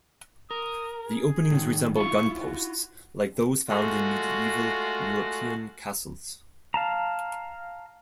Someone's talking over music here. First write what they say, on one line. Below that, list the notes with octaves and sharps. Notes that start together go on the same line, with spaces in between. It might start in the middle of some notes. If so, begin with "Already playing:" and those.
The openings resemble gun-posts like those found in medieval European castles.
A#4 D#6
G#4
A2 D#3
E4 F4 C#6
F#4
G#3 A3 F4 F#4
F5 A5 A#5